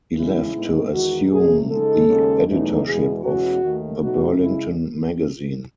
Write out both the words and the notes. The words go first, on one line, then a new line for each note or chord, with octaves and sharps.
He left to assume the editorship of "The Burlington Magazine".
E2 C#3 G#3 E4
A2 G#3 B3 D#4
E2 D#3 G#3 F#4
B2 F#3 A3 C#4 G#4
C#3 G#3 D#4 A4
D#2 C#3 G#3 C#4
E2 B2 F#3 A3 D#4
E2 B2 G#3 G#4
E2 B2 G#3 C#4 F#4
D#2 D#3 A3
B2 F#3 A3 D#4 F#4
C#3 G#3 E4